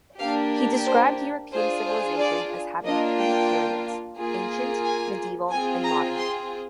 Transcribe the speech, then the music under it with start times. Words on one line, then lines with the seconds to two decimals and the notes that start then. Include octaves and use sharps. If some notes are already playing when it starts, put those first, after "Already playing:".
He described European civilisation as having three periods: ancient, medieval and modern.
0.19 A#3 D4 G4 F5
0.85 C5
1.52 D4 F4 G#4 C5
1.85 C5
2.18 D5
2.84 A#3 D4 F4 D#5
3.18 G5
4.18 A#3 F4 G#4
4.84 G#5
5.51 C4 F4 G#4 G#5
5.84 A#5
6.17 C6